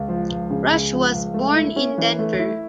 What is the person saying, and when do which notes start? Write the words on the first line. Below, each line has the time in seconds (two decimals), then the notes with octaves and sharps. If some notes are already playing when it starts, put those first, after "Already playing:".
Rush was born in Denver.
Already playing: C#2
0.08 F3
0.29 C#2
0.50 C#3
0.71 C#2
0.93 F3
1.14 C#2
1.34 A3
1.55 E4
1.76 C#4
1.98 E3
2.19 A3
2.39 E4